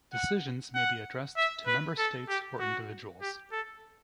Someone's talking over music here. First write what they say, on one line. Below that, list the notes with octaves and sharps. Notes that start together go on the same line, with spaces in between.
Decisions may be addressed to member states or individuals.
F#5
F#5
E5
B4
A4
G4
F#4
G4
A4